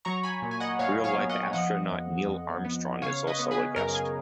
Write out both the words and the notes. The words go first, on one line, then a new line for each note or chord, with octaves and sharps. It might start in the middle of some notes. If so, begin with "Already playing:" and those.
Real-life astronaut Neil Armstrong is also a guest.
F#3 A#5 C#6
G#5 B5
A#2
G#5
D#5 F#5
A#2 C#5 F5
C#5 F5
B3
D#5 F#5
F3 D#5 F#5
F2
F2
B3
C#3 C#5 F5
B4 D#5
B3
G#4 B4
F#2 A#4
G#4